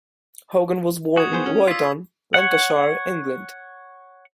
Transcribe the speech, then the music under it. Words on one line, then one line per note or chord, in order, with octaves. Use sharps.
Hogan was born in Royton, Lancashire, England.
F#4 D#6 G#6
B3 G#4 C5
C#4
F4 D5 E6 B6
C#5 F#5